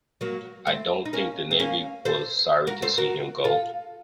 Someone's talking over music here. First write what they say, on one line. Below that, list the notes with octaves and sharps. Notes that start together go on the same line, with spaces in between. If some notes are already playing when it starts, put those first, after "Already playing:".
I don't think Navy was sorry to see him go.
F#3 A#3
A3 C4
D#4
A#3 C#4
C4
A#3 C#4
A4 C5
F#4 A#4
A4 C5
F#4 A#4
F4 A4